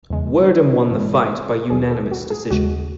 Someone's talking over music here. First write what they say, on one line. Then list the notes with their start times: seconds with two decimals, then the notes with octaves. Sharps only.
Werdum won the fight by unanimous decision.
0.10 E2 C#3 G#3
0.91 G#2 E3 G#3
1.70 D#2 D#3 F#3 G#4
1.91 A4
2.11 F#4
2.30 G#4
2.50 D#2 C#3 G#3 F#4